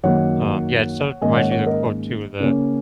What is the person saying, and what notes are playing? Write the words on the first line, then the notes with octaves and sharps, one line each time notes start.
um Yeah, it sort of reminds you of the quote too, the
F#2 D#3 F#3 A#3 C#5 F#5
G#2 D#3 A#3 C#4 D#5 G#5
C#5 F#5
C#5 F#5
A#4 D#5
C#3 A#3 C#4